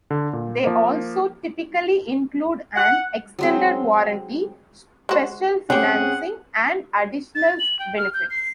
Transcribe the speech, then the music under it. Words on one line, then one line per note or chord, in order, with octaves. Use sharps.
They also typically include an extended warranty, special financing, and additional benefits.
D3
A#2
F3 A#3
F#5
F#3 G#3 C4
G#3 F#4 C5
G#2 F#3 C4 C#4 G4 G#4 F#5
A6
F#7
G5
F6
G6
C7